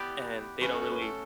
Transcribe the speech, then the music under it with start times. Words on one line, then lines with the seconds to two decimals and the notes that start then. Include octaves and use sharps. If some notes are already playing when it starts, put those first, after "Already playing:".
and they don't really
Already playing: B3 E4 G4 D5
0.61 A3 C#4 F#4 B4
0.72 A4
0.82 A4
0.92 B4
1.01 A4